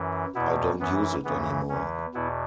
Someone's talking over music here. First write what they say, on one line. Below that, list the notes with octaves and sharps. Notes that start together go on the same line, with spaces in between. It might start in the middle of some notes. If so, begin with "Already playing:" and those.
I don't use it anymore.
Already playing: F#2 E3
E2 B2 B3 E4
F#2 E3 B3
F#2 C#3 E3 B3
E2 E3 C#4
E2 B2 B3 E4